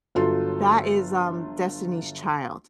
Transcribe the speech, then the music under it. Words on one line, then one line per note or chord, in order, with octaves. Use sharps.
That is, um, Destiny's Child.
G1 F#3 F4 A4 C6